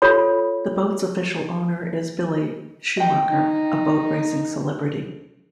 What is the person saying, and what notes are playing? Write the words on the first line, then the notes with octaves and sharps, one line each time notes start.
The boat's official owner is Billy Schumacher, a boat racing celebrity.
F4 A4 C#5 B5
D#5 G5
D#4